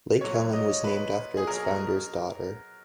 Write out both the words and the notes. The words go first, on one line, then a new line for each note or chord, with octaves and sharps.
Lake Helen was named after its founder's daughter.
A#2 F#3 C#5
D#5
B4
G#4
B2 F#3 A#4